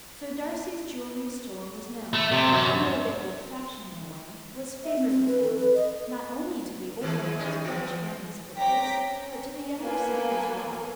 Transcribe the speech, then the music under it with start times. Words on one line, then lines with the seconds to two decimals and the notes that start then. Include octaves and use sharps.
So Darcy's jewelry store was known, and though a bit old-fashioned in a way, was favorably known, not only to the older members of the rich families of the place, but to the younger set as well.
2.14 A3
2.32 C3
2.53 F#2
4.84 E5
4.96 C4
5.09 C4
5.27 B4
5.43 A4
5.56 B4
5.74 D#5
7.01 G#2 D#3 G#3
7.38 G3 C#4 D#4
7.64 E3 B3
8.56 C4 C#5 G5 A#5 D6 B6
9.07 C#4
9.80 A#3 B3 A4 G#5